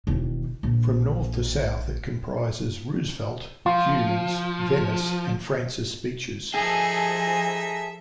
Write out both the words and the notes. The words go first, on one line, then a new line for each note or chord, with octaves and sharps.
From north to south it comprises Roosevelt, Dunes, Venice, and Francis Beaches.
E1 D#3
A#1
F3 F4
F3 D#4 G#4 A4 E5 G#5 A#6